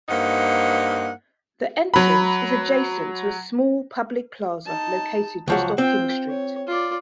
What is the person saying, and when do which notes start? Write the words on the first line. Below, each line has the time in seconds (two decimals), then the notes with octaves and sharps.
The entrance is adjacent to a small public plaza located just off King Street.
0.09 G2 A#3 D#4 C5 F#5
1.94 F#3 B5
4.66 D#4 A5
5.48 C#2 F3 F#3 F#5
5.78 C4 F4 G5
6.29 C#5
6.67 F4 D5